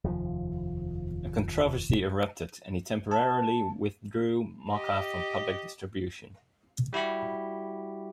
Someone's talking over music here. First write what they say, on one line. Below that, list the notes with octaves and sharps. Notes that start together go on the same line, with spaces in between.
A controversy erupted and he temporarily withdrew Mocha from public distribution.
F1 D#2 F3
A5
G4 D#5
G3 E4 F#4 G4